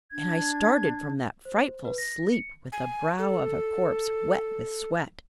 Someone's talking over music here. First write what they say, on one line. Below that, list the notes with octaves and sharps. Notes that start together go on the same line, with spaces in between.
And I started from that frightful sleep with the brow of a corpse, wet with sweat....
D4 G#6
C5
B4
A#6
C#7
G#5
A4